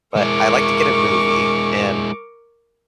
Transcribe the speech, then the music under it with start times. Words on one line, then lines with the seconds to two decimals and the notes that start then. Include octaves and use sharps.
but I like to get a movie and,
0.16 G#3 E4 A#4 C#6 D6